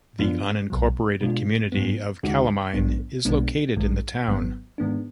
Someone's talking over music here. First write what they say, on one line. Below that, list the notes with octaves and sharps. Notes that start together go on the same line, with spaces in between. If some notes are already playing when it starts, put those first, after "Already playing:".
The unincorporated community of Calamine is located in the town.
F#2 F3 B3 D4 F4
B1 B2 F#3
B2 G#3 D4 F4
G#2 F#3 B3
D2 D3 G#3 D#4 F#4
A#1 G#2 F#3 B3 D4
B1 B2 G#3 B3 D4
A#1 G#2 D#3 G#3
G#1 G#2 D#3 F#3 B3
G#2 D#3 G#3 B3 D4